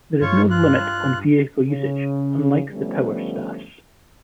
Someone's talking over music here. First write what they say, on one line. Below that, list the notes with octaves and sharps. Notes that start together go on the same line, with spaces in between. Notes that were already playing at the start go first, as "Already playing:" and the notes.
There is no limit on vehicle usage, unlike the power staffs.
G2 F4 C#5 C#6
F4 F#6
C#3
D3 F3 G3 A3 B3 C#4